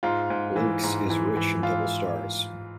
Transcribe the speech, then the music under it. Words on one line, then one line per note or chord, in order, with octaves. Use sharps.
Lynx is rich in double stars.
G#2 F4
G#2
E3
G#2
E3
E3
E3 F4